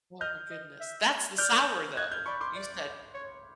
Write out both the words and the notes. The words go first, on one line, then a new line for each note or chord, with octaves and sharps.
Oh, my goodness, that's the sour, though! You said,
D#5 F6 G6
D#5
E5
D5 F6 G6
D#5 F#6 G#6
F6 G6
D5 B5 C#6
C6 D6
D5
C#5